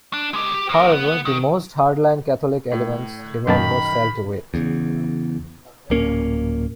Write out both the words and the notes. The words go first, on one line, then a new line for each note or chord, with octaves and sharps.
However, the most hardline Catholic elements remained hostile to it.
D4
G#3 G4
G4
A2 A#4
B4 F#5
D#3
A2
F#2 D#3 A#3 A5 B5
E2 C#3
D1 A#2 A#3 C#4